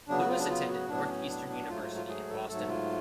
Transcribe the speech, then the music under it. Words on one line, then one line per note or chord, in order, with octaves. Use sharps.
Lewis attended Northeastern University in Boston.
C#3 F#3 B3 D4
F#4
F4
D4
F4
F#4
A2 F#3 B3 D4
C#4
D4
D4
G#2 F#3 A3 F4
D4
F4
F4
G#4
A4
G#2 F#3 A3 A4
F4